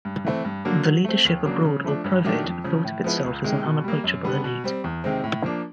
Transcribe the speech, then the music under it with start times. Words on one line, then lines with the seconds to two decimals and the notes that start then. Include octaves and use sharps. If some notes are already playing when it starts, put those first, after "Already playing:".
The leadership abroad, or "Provid", thought of itself as an unapproachable elite.
0.05 G2
0.25 E3 A3 C4
0.45 G2
0.65 D3 F#3 A#3 D4
0.85 F#3
1.05 A3 C4
1.25 D#2
1.45 C#3 F#3 A#3 D4
1.64 C#3
1.84 F3 A3 D4
2.04 G2
2.24 D#3 F#3 A3 D4
2.44 F2
2.64 C#3 F3
2.84 A2
3.04 F3 G#3 B3 E4
3.24 C#2
3.44 C3 D#3 G#3
3.64 B2
3.84 G3 A#3
4.04 F#2
4.24 D3 G3 B3
4.44 B2
4.64 G3 C4
4.84 E2
5.04 C3 D#3 G#3 C4
5.24 A2
5.44 F3 A#3 D4